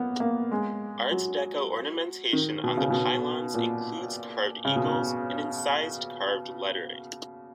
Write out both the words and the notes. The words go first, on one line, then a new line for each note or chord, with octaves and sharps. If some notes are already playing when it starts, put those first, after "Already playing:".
Art Deco ornamentation on the pylons includes carved eagles and incised carved lettering.
Already playing: A#3 B3
A#3
G#3
F#3
D#3
B2
C#3
B2
A#2
C#3
B2